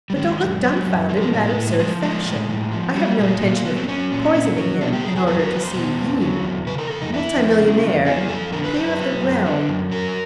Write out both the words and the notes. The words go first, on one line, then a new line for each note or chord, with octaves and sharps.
But don't look dumbfoundered in that absurd fashion: I have no intention of poisoning him in order to see you a multimillionaire, and a Peer of the Realm....'
G3
D#3 G#3
F#2
F#3
F#2
F3 G3
G#3
A2 G3
G#3
A2 A3
G#3
F3 G#3
F3 G#3
A2
A2
F3
F#3 G3
A#2 G#3
A#2 A3
A#3
F#3 B3
C4
F#3 C#4
A#2
A#2
F#3
B2 D4
G4
E2 G#4
G#4
F#3 A4
A#4
E2 B4
C5
B2
E2
F#3
E2
C#3 B4
A#4
F2 A4
D#4
E3 E4
F2
C#3
F2
E3 G#4
F2 A4
D3 A#4
B4
F#2 C5
B4
F#3
F#2
D3
F#2
F#3 A#4